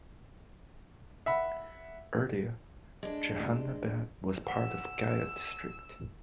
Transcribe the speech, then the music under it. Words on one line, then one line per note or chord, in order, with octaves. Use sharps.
Earlier, Jehanabad was part of Gaya district.
E5 F#5 B5
G#3 D4
F#5 E6